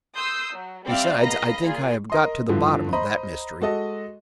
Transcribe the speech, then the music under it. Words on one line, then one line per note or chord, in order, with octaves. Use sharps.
"Besides, I think I have got to the bottom of that mystery."
C6 D#6 E6 G6 C7
F#3
G3 C4 D5 E5 F5
C#2 D#5 F5 A#5 B5 A#6
A#2 F4 G#4
A#4 D#5 C6
G2 D3 E3 F3
C5 D#5 A#5 B5
G#3 F#4 A4 D#5